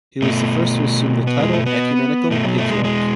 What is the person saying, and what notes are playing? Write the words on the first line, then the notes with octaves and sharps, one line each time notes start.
He was the first to assume the title "Ecumenical Patriarch".
B2 A3
B3
G#3
A3
B3
B2 A3
F#3
A3
G#3
G#3